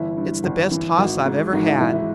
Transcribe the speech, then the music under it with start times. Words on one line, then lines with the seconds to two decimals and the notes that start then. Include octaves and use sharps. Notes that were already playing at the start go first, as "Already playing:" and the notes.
It's the best hoss I've ever had.'
Already playing: G1 E3 E4
0.17 G2
0.44 G1
0.71 E3
0.99 G#1
1.26 G#2
1.53 G#1 D#4
1.67 E4
1.80 E3 E4
1.94 E4